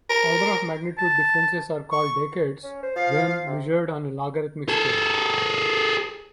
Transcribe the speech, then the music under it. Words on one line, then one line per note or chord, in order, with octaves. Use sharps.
Order-of-magnitude differences are called decades when measured on a logarithmic scale.
A#4
A5
C#6
C#4
C5
F3 F5
C3
G#4 A4